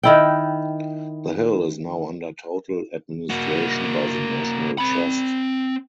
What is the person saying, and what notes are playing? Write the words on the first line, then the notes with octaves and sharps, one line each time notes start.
The hill is now under total administration by the National Trust.
D#3 E4 G5
A#3 F#4
C4 B5